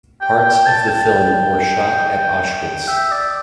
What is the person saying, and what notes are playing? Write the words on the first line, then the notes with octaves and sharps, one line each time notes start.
Parts of the film were shot at Auschwitz.
G5
G5
A5
G5
E5
D5